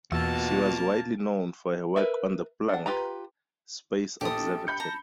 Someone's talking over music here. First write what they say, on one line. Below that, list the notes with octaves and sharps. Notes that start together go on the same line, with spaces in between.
She was widely known for her work on the "Planck" space observatory.
E2 B2 E3 A#3 F4 F#4 A5 E6
A#4 B4 E5
D4 F#5
F4 G4 B4 A#5
A#1 G4 A4 D#6
B5 G6 C#7
A5 A#5